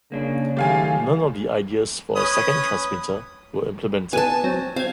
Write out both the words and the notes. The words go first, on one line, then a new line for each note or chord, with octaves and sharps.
None of the ideas for a second transmitter were implemented.
C#3 A#3 D4
D#3 F#3 A3 G4 F5 G#5
C#4 B4 D#6
B3 G#5 A5
F#3 C4
C4 F5 G#6